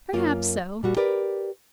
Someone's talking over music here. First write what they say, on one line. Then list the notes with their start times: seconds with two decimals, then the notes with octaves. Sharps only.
'Perhaps so.
0.13 F#2 A#3 F4
0.83 A#2 G3 F#4
0.97 G4 A#4 B4 D5